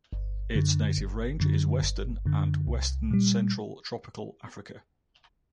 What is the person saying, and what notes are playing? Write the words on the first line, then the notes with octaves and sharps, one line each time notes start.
Its native range is western and western central Tropical Africa.
G1
F#2 D3
G1
F#2 D3
G1
F#2 D3
C2
A#2 G3